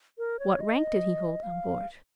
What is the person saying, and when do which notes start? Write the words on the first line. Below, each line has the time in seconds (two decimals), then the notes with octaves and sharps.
"What rank did he hold on board?"
0.18 A#4
0.39 C#5
0.60 D#5
1.43 F5